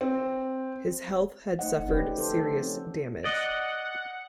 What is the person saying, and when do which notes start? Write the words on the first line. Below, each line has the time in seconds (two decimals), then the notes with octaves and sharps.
His health had suffered serious damage.
0.01 C4
1.59 A3 D#4 C5 D#5 F#5
1.87 A3 C#4 D#4 G4 B4 D5
2.17 C#3 F3 A4 C5
2.34 A3 A4
2.58 F3 C4 C#4
3.24 D5 D#5 F#5